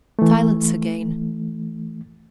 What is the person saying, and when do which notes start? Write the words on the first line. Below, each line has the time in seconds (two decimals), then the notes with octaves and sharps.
Silence again?
0.19 E3 A3